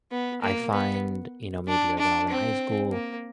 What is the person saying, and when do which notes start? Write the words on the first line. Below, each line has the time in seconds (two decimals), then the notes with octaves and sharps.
I find you know, maybe, like, when I was in high school,
0.11 B3
0.42 A#3
0.73 B3
1.68 D4
1.99 D4
2.30 C4
2.92 A#3